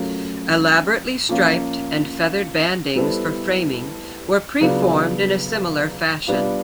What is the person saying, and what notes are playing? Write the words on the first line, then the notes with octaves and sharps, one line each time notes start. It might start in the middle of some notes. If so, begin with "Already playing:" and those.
Elaborately striped and feathered bandings for framing were pre-formed in a similar fashion.
Already playing: F#3 A3 C#4 F4 A#4
F3 A#3 C#4 F4
G3 B3 E4 A4 C5
C#3 F#3 B3 D4 F4
G3 B3 D4 F4